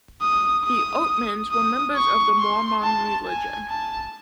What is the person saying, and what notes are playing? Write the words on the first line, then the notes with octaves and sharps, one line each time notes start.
The Oatmans were members of the Mormon religion.
D#6
D#6
D#6
C#6
C6
A5
G#5
A5